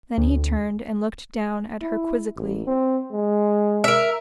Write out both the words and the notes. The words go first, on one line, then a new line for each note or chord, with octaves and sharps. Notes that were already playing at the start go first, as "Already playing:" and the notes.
Then he turned and looked down at her quizzically.
D2
E4
A1
C4
G#3
A#4 E5